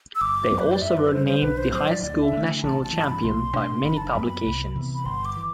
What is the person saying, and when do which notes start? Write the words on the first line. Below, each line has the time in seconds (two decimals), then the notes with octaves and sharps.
They also were named the High School National Champion by many publications.
0.15 E6
0.21 G1 D6
0.51 F#2 F#3 B3
0.59 B4
0.67 C5
0.74 D5
0.82 F#2 E5
0.97 B4
1.12 D3 G3 C5
1.27 C5
1.42 B1 B4
1.57 C5
1.72 A2 F#3 C5
1.88 D5
2.02 D2 D5
2.22 E5
2.33 D3 A3
2.63 A1 A5
2.83 A5
2.93 G2 E3
3.04 B5
3.23 B1 C6
3.54 B2 A3 D4
3.84 F#1 B5
3.97 A5
4.09 B5
4.15 F#2 F#3 B3
4.45 C2
4.75 C3 E3 B3
4.95 B5
5.05 G1 C6
5.25 D6
5.37 E3